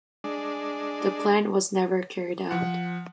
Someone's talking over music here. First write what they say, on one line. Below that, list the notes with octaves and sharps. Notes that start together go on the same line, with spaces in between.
The plan was never carried out.
G#3 D4
F3 F#5